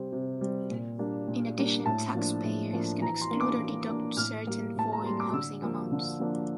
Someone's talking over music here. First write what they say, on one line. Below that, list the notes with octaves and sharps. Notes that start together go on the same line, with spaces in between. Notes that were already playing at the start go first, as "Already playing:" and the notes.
In addition, taxpayers can exclude or deduct certain foreign housing amounts.
Already playing: C3 G3 C4
C3
G3 C4
A#2
G3 A#3 D4
A#2
G3 A#3 D4
A2 A5
F3 A#3 D4
A2
F3 A#3 D4
E3 A#5
C6
A#3 D4
D6
E3
A#3 D4
A2 F6
G3 A#3
A2 A5
A#5
G3 A#3 C6
D6
D3 E6
F3 A#3 D4
D3
F3 A#3 D4